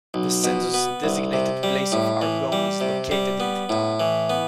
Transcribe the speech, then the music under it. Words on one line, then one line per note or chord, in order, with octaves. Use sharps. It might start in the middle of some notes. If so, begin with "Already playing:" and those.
The census-designated place of Argonne is located in the town.
B1
B2
B3
C2
C3
G3
A2
E3
G3
C3
G3
B3
A2
E3
B3